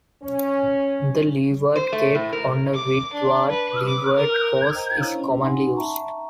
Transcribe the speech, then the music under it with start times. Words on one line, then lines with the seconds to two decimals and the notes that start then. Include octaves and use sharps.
The leeward gate on a windward-leeward course is commonly used.
0.23 C#4
1.76 C5
1.93 A3
2.15 A2
2.33 A#4
2.74 D6
3.14 D4
3.50 B4
3.88 D6
4.17 A#4
4.74 A#4 C5 D#5 G5 A#5
4.96 D4 E4 C#5 F5
5.15 C#4
5.40 D#4 F#5 G#5 B5 C6
5.76 E5 A5 A#5 C#6